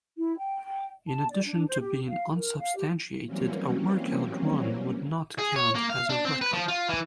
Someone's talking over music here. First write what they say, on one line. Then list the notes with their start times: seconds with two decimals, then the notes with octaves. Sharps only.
In addition to being unsubstantiated, a workout run would not count as a record.
0.18 E4
0.36 G5
1.06 A5
1.29 D5
1.46 D4
1.68 C5
1.80 G4
2.06 F5
2.35 A#4
2.60 F5
2.75 G4
3.27 E3 F#3 G3 A#3 C4 C#4
5.38 G#4
5.56 C#5
5.75 A#3
5.90 F5
6.09 D4
6.25 C4
6.41 B4
6.53 F3
6.68 F4
6.89 E3